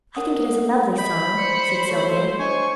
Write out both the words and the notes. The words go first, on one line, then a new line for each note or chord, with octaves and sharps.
"I think it is a lovely song," said Sylvia.
A#4 F#5 D#6
D#5 B5 G6
C5 D5 C#7
A3 F#4 C#5 C#6
D4 C5 C#5 D#5 G#5 C#6